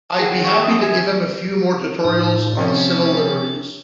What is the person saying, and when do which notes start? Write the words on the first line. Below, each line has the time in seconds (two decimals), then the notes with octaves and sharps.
I'd be happy to give him a few more tutorials on civil liberties.
0.19 F#4 G#4
0.44 C#6
0.64 F#2 D#6
0.82 G#5
2.05 A2 D#4
2.57 C3 F3 C#4
2.76 D4